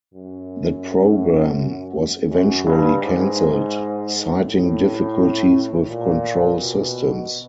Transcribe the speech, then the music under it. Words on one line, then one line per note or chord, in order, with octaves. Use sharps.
That program was eventually cancelled, citing difficulties with control systems.
F#2
F#2
G2
G#2
A2
A#2
B2